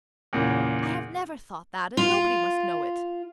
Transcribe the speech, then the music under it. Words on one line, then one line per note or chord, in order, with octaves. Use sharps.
I have never thought that, and nobody must know it!
E2 A#2 C#3
F4